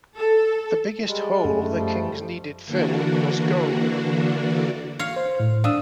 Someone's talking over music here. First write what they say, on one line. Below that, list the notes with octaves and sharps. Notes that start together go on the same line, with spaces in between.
The biggest hole the Kings needed fill was goal.
A4
G3 G#3
F#2 A3 C#4
F3 G3
D3 E3 A#3 D4 F#4
C#5 F5
C5
A2
D4 F5 D#6 E6